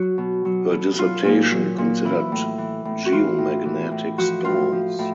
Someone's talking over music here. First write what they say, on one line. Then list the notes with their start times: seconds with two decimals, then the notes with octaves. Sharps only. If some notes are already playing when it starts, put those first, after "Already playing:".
Her dissertation considered geomagnetic storms.
Already playing: F#3 F#4
0.18 B2
0.45 F#3
0.71 B2
0.98 F#3 F4
1.25 A#2
1.51 F#3
1.78 A#2
2.05 E3 E4
2.32 A2
2.58 E3
2.85 A2
3.06 F#4
3.12 E3 F4
3.38 A2
3.65 E3
3.91 A2
4.18 F3 F#4
4.45 A2 F4
4.72 F3
4.99 A2